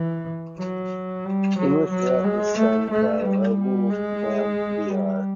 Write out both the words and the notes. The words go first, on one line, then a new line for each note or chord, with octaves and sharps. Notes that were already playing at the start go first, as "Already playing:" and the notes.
English Rap is sung by Rahul Nambiar.
Already playing: E3
F#3
G3
F#3
F#3
G#3
A3
A3
G3
G#3
G3